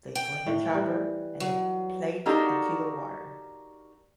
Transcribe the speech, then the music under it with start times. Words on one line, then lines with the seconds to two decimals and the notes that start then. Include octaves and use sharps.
They fling a chopper and a plate into the water.
0.15 G5
0.46 A2
0.70 E3 G3
1.40 F#3
2.26 A#3 D4 D#4 F#4 G4 A4